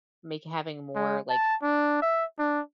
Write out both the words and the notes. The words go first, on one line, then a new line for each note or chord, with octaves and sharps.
m make having more, like,
G#3
A5
D4
E5
D4